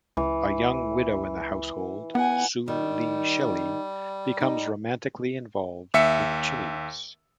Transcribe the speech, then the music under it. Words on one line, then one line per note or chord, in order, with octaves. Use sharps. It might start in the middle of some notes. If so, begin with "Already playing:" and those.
A young widow in the household, Sue Lee Shelley, becomes romantically involved with Chiles.
C#2 E3
B3 F#5 G#5
D#3 G3
D#4
D#2 E5 C#7